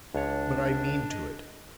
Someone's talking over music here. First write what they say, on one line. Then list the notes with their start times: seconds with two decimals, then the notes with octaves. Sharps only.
But I mean to it.
0.15 C#2 D4 C#5
1.11 D#5